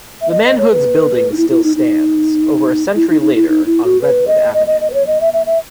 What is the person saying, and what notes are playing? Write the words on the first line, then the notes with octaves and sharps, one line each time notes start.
The Mahoods' building still stands, over a century later, on Redwood Avenue.
E5
D#5
D#5
C#5
B4
D#4
E4
E4
D#4
D#4
E4
D#4
D#4
E4
D#4
E4
F#4
B4
D#5
D#5
D#5
D#5
B4
C#5
D#5
E5
E5
E5